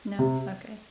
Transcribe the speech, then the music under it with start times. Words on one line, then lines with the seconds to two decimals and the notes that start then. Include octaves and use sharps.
No? Okay.
0.19 C3